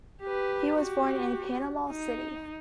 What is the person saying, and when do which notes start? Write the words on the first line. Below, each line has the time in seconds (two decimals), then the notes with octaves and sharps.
He was born in Panama City.
0.22 G4 B4
0.80 F#4 G4
1.90 D#4